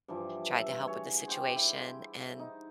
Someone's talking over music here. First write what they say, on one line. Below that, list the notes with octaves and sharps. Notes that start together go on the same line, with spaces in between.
tried to help with the situation, and
G2 E3 F3
E5
F#4 G#4 C#5
C5 G5 D6
E4
D#4